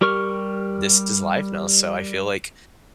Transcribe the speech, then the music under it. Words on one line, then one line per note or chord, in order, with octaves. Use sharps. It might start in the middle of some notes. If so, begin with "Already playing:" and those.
"This is life now." So I feel like
G3 G4 A#4 C#6 F6